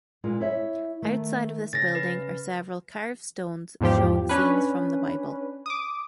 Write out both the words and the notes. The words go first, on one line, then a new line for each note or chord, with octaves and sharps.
Outside of this building are several carved stones showing scenes from the Bible.
A#2 G#3 F4
E4 C#5 E5
D#3 A3
C#3 A6 A#6
B4
E2 G#2 F3 G4
C#4 D4 B4
D6 D#6